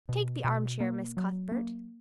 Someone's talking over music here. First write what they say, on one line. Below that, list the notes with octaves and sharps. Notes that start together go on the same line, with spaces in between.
Take the armchair, Miss Cuthbert.
B2
B2
A#3
F#3
A#3